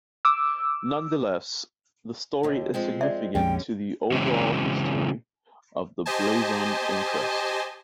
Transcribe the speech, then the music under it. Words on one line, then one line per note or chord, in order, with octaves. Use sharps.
Nonetheless, the story is significant to the over-all history of the blazon and crest.
D6 E6
D#2 D3
F3 G#3 C4
D5 E5
A#1 F2 D3 G3 G#3 C#4 G5
C#3 E3 F#3 G#3 C4
G4 C5 D#5 G#5 A5